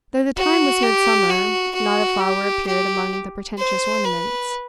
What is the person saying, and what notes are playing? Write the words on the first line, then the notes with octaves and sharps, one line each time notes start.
Though the time was midsummer, not a flower appeared among the pretentious ornaments.
F#4
G4
F#4
F#4
G4
G4
C5
B4